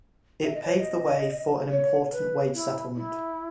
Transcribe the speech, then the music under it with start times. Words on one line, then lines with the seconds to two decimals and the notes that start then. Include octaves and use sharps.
It paved the way for an important wage settlement.
0.43 E5
0.54 D#5
0.65 C#5
0.77 D#5
1.70 C#5
2.12 B4
2.54 E4
2.95 E4